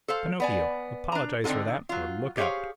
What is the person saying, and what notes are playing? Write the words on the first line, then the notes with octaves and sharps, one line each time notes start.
"Pinocchio, apologize for that, or look out!"
A4 C5 F5
B3 D5 G#5
D4 A#5
D3 C4 D#4 F4 A4
F#3 F4
G4 G#4 C5 C#5 F5